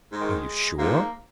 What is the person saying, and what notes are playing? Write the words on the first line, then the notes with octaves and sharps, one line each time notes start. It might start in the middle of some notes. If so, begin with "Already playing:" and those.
"Are you sure?"
G#2 G#3
D#3
G#2 F3 A#3